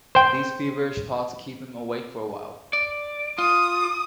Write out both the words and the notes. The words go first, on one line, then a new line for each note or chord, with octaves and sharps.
These feverish thoughts keep him awake for a while.
C5 G5
D5
F4 D#6